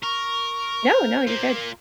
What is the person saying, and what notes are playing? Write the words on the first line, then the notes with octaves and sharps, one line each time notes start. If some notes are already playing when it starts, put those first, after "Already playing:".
No, no, you're good.
A#4 C#6
C5
A#3 F4
A#4